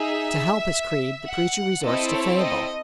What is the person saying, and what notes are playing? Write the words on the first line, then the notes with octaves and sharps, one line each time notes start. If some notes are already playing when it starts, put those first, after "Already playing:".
To help his creed, the preacher resorts to fable.
Already playing: D#4 G#4 E5
F#5
C4 E4 A4 D#5
C#5
D#5